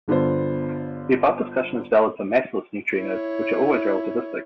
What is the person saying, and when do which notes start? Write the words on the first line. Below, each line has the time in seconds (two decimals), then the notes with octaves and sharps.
The above discussion is valid for massless neutrinos, which are always relativistic.
0.08 G1 D3 B3 F4 C5
2.96 E4 C#5